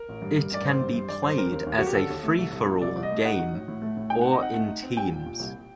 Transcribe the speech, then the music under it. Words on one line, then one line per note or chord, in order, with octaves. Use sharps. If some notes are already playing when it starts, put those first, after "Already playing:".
It can be played as a free-for-all game or in teams.
Already playing: A#4
A1
G2
G2
A1 D5
C4 C5
G2
G2
G2 D5
G2 C5
C4 A#4
D#2
D#2
F#3 F#4
G4
D3 A4
D#2
A3
C2
C2
A#2
C2 D5
C2
D#5
A3
D#4 F#5
F#4
A2
A2
A3
A2
D#4 G5
C4 F#5
D#5
D#4 F#5
A3
D#4
C4
G3 G5
A#2
A#2
C2